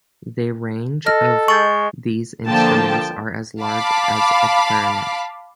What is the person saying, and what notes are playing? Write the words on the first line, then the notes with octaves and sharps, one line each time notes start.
They range of these instruments are as large as a clarinet.
A4 D#5 F6 A#6
G#3 C#6 G6 A6 F#7
D3 F3 A#3 G5 A5
F5 A5 B5 D6